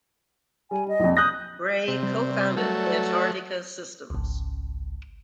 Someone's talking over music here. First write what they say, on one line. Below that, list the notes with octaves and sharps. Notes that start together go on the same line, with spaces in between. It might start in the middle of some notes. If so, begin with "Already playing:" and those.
Bray co-founded Antarctica Systems.
G3 G#5
D#5
A#1 F2
D#6 F#6 G6 A#6
C3
G3
F#3 A3
D5
G#1 C#2